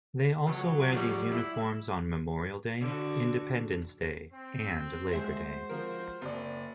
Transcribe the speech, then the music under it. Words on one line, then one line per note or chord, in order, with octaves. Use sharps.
They also wear these uniforms on Memorial Day, Independence Day, and Labor Day.
C#2 F#3
F3 G3
E4
D3 F#4
C4
G#3 F#4 C5 E5
F3 A#4
F#1 D5